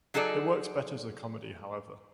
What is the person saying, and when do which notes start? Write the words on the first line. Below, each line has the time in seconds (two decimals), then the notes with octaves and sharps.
It works better as a comedy however.
0.14 F#3 D#4 G#4 A4 D5